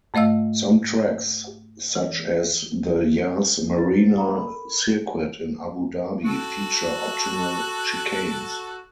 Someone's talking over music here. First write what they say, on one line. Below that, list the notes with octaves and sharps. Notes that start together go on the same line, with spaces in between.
Some tracks, such as the Yas Marina Circuit in Abu Dhabi, feature optional chicanes.
G#2 A3 D#5 F5 E6
E3
D4 E4 B4 A6
F5 A#5 B5
A4 A#4 B5
F#4 A4